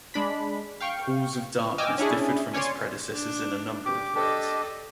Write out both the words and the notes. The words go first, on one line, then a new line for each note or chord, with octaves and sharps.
"Pools of Darkness" differed from its predecessors in a number of ways.
G#3 D4 B5
F5 G5 C#6
D#5 G5 G#5 D6 E6 F6
C#4 D4 E4 G#4
C#4 C#5 D5 G#5 C6
D4
G4 D6
D4 G4 A4 D#5